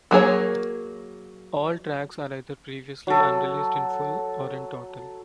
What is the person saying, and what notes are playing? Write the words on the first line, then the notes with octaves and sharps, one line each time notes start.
All tracks are either previously unreleased in full or in total.
F#3 A#3 G#4 C#5
F#3 A4